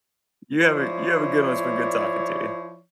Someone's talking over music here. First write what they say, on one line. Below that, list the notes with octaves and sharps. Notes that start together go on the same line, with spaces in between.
you have a you have a good one, it's been good talking to you.
F3 E4 C#5 D5